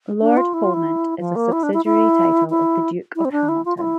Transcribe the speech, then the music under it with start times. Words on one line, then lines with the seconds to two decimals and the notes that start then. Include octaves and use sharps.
Lord Polmont is a subsidiary title of the Duke of Hamilton.
0.21 D4
0.37 F4
0.54 E4
0.63 F4
0.74 E4
1.20 F3
1.36 A#3
1.52 E4
1.63 D4
1.74 E4
1.85 E4
2.50 E4
3.16 E4
3.25 C4
3.32 D4
3.49 E4
3.65 F4
3.78 F4
3.81 E4